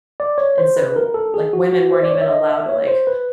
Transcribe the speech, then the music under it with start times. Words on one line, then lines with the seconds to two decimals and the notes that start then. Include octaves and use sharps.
and so, like, women weren't even allowed to, like,
0.20 D5
0.38 C#5
0.58 C5
0.77 B4
0.96 A#4
1.14 A4
1.34 G#4
1.53 F#4
1.73 F#4
1.92 C5
2.03 D5
2.11 C#5
2.21 E5
2.31 D#5
2.49 E5
2.69 C#5
2.88 C5
3.07 B4